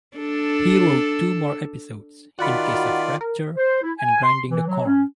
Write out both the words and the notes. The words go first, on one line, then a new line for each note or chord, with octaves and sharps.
He wrote two more episodes - "In Case of Rapture" and "Grinding the Corn".
D4 A4
D#3 F4 F#4 D5 F#5 B5
A#4
C5
E4
G#5
C6
E3
F#3
C#4